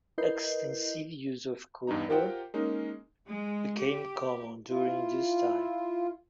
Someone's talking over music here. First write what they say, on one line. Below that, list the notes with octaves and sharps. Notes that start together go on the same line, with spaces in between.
Extensive use of copper became common during this time.
E4 A#4 B4 D#5 G6 C7
E2 G2 D4 D#4 A#5
F4 G4 A#4 C5 F#5 G5
G#3 A#3 C#4 D#4 A#4
G#3
G4
E4 F4